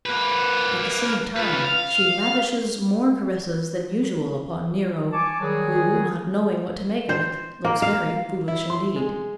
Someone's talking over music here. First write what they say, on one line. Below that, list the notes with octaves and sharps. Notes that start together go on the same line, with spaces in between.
At the same time she lavishes more caresses than usual upon Nero, who, not knowing what to make of it, looks very foolish indeed.
A#3 B4
F4 B4
F5
G#5 A5 C#6 D6
D#3 F#3 G3 F#4 G#4
C5
A#3
F5
E4
C6
G#3